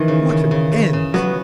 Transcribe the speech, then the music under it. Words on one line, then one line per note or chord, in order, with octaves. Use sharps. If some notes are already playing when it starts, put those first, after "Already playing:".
What an end!
Already playing: D#3 E3
C#3
C#3
C#3
C#3
C#3
F#3 B3